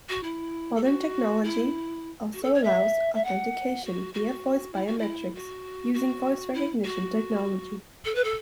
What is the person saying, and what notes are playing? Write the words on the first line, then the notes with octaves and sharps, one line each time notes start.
Modern technology also allows authentication via voice biometrics using voice recognition technology.
F#4
E4
A4
F#4
E4
F#4
A4
C#5
E5
E5
F#5
F#4
F#4
E4
F#4
E4
F#4
F#4
E4
F#4
A4
B4
A4